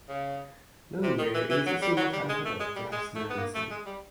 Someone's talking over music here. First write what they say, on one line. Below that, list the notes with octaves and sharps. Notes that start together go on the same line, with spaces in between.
Though rare, it is also not unheard of to have snow in the summer.
C#3
C3
D#3
E3
E3
F#3
G3
F#3
G3
G#3
A3
G#3
G3
G#3
A3
B3
A#3
A3
G#3
G3